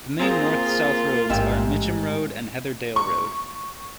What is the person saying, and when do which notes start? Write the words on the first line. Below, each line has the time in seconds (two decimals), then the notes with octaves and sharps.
The main north-south roads are Mitcham Road and Heatherdale Road.
0.19 A#3 C4 F4 G#4 A#5
1.30 A1 G#2 G4 E5
2.96 C#6